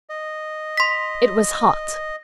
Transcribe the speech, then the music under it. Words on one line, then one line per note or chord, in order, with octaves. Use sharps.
It was hot.
D#5
C6 B6